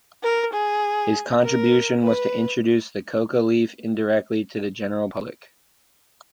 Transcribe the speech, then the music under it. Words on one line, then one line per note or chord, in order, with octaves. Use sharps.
His contribution was to introduce the coca leaf indirectly to the general public.
A#4
G#4
A#4
B4